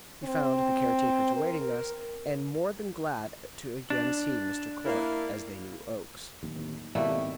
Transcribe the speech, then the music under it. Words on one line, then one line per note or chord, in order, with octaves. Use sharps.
We found the care-takers awaiting us, and more than glad to again see Mr. Clark, as they knew Oakes.
C4
A#4
D4
A#3 E4
D1 D#2
G#1 B2 G3 A3 A#3 E4